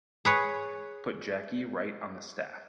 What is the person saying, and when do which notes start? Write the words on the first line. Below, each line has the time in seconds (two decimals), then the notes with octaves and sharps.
Put Jackie right on the staff.
0.25 G#4 B4 C#5